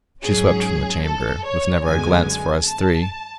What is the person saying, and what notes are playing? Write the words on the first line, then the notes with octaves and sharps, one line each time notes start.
She swept from the chamber--with never a glance for us three.
G#2 F#3 C#4 G#4
A4
C#5
F#2 D3 G#3 B3 G#5
G#5
A5